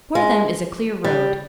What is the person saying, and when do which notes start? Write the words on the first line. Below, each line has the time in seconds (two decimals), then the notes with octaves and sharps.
Before them is a clear road.
0.15 G#3
1.04 G3